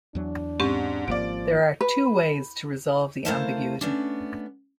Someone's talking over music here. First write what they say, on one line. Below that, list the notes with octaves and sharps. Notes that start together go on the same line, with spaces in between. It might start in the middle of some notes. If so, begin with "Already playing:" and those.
There are two ways to resolve the ambiguity.
E2 F#3 D4
G#2 C4 C#4 G4
G#1 F3 A#3 D5 D7
B4
A3 E4 A#4 C5 F5 A5
A3 B3 C#4 D4